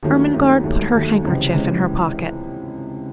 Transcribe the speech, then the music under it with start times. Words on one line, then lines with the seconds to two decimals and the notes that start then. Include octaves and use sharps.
Ermengarde put her handkerchief in her pocket.
0.03 D#2 D#3 F#3 A3
0.33 D#2 D#3 F#3 A3
0.63 D#2 D#3 F#3 A3
0.93 D#2 D#3 F#3 A3
1.23 C#2 C3 E3 G#3 C#4
1.52 C#2 C3 E3 G#3 C#4